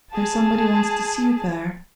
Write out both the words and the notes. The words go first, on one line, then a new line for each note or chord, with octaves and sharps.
There's somebody wants to see you there.
G#4 A5